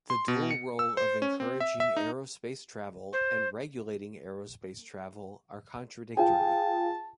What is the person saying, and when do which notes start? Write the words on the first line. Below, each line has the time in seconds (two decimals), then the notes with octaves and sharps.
The dual role of encouraging aerospace travel and regulating aerospace travel are contradictory.
0.10 C6
0.28 B2
0.51 C#7
0.79 E6
0.97 C5
1.22 C#4
1.40 C4
1.60 E5
1.80 E5
1.97 D#4
3.12 C5
6.17 F4 G#4 G5 A5